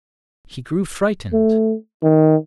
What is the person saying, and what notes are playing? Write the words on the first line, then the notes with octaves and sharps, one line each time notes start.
He grew frightened.
A3
D#3